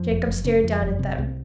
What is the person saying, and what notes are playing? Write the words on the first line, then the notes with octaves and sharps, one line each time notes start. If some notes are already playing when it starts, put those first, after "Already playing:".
Jacob stared down at them.
Already playing: F2 F3
F#1
F#1
C#3
F2
F#1
C3
C2